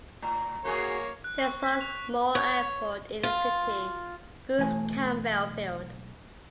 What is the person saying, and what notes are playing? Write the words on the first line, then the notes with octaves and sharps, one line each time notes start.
There is one small airport in the city, Bruce Campbell Field.
A2 A#5
A#3 F#4 G#4 C#5
F#6
C#6
B6
F7
F#6
C#5
F4
B1 E3 A3 G#5